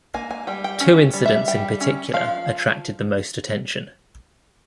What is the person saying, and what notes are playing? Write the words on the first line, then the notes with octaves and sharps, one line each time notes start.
Two incidents in particular attracted the most attention.
A#3 G#5
G#5
G3 G5
G5
C#4
G3
E5
G3 G5
C#4
F3 F5